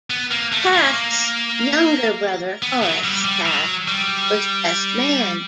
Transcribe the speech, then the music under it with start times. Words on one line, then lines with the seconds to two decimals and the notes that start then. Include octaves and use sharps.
Taft's younger brother Horace Taft was best man.
0.10 B3
0.31 A#3
0.52 A3
0.73 A#3
2.62 B3
2.82 F#3
3.04 G3
3.25 G3
3.46 F#3
3.88 G3